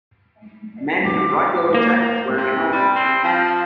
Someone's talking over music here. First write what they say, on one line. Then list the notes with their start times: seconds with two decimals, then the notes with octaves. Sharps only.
A man in a bright yellow jacket is wearing a helmet.
1.05 D6
1.75 A#3
2.37 C3
2.72 G3
2.96 C4
3.24 F3